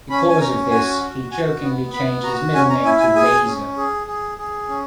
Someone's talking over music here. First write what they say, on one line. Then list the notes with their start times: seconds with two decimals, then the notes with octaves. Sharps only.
Because of this, he jokingly changed his middle name to "Lazer".
0.10 C#4 B5
0.30 G#5
0.40 C#4 A#5
0.71 F#4 G#5
1.02 F#4
1.32 F#4 G#5
1.62 B3
1.93 B3 B5
2.24 F#4 A#5
2.54 C#4 G#5
2.70 A#5
2.85 E4 G#5
3.00 G#5
3.15 G#4 G#5
3.46 C#4
3.77 G#4
4.07 G#4
4.38 G#4
4.68 C#4